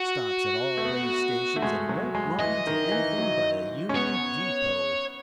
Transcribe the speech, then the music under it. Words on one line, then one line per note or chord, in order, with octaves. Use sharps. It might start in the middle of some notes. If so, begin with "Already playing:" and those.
Stops at all way-stations and won't run into anything but a union depot.
Already playing: F#4
A3
B3
A3
G#3
F#3
G#3
E3 D#5
D#3
E3
F#3
C#4
B3 C#5